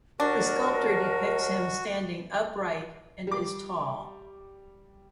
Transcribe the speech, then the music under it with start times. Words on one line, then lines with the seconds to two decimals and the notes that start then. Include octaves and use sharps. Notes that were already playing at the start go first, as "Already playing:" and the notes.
The sculpture depicts him standing upright and is tall.
0.20 D#2 D4 F#4 A#4
3.27 G3 D6